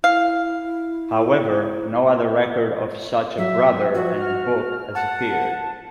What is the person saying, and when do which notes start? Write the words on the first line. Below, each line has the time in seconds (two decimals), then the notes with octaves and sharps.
However, no other record of such a brother and book has appeared.
0.04 E4 F5
3.38 F#3 E5
3.94 F3 F#4
4.19 F6
4.95 F#5 A5